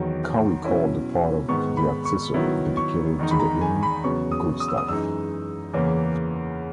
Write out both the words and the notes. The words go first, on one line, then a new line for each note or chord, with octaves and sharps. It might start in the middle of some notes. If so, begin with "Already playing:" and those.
Cowie called the part of the accessory dedicated to the Inn "good stuff".
Already playing: E2 D#3 F#3 B3
B2 F#3 C#4 E4
G#2 D#3 G#3 B3 C#6
B5
C#6
D#3 F#3 B3 E4
C#6
E2 D#3 G#3 D#4
B5
A#5
G#5
B5
E2 C#3 F#3 B3 C#6
D#6
D#6
E6
D#6
F#2 E3 G#3 D#4 E6
E2 C#3 E3 A#3 C#4